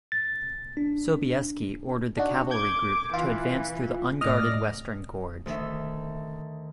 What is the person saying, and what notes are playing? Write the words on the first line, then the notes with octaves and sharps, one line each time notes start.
Sobieski ordered the cavalry group to advance through the unguarded western gorge.
A6
D4
D4 D#4 F#4
D6 G6 G#6
E3 F4
A2 D5 D#5 F6 A#6
D2 D#3 E5